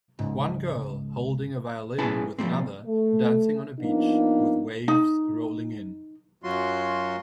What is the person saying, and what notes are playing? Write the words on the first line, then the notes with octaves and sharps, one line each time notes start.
One girl holding a violin with another dancing on a beach with waves rolling in.
C#2 G#2
B1 C#4 E4 G#4 B4 A5
F3 G3 A#3 C4
A3
F3 A#3 B3 D4 D#4
D#4
F#2 F#3 F4 F#4 C6